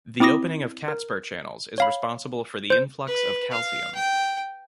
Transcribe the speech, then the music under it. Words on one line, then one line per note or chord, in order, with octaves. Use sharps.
The opening of CatSper channels is responsible for the influx of calcium.
C4 E4 D6 D#6 A#6
A#4
C#5 F5 B5
C5 G6
B4
F5
G5